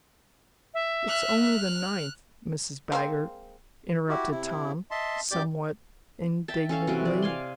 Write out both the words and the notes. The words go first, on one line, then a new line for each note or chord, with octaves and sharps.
"It's only the ninth, Mrs. Baggert," interrupted Tom, somewhat indignantly.
E5
F6 F#6
G#3 A#3 C4
E4 F#4 G4
C3 E4
D#5 E5 A5 C6
F#2 G4 D5 D6 G6
E5 G5 A5
C#4 A4 F5 C#6
C3 E3 F#4
D5
F5 G#5 C6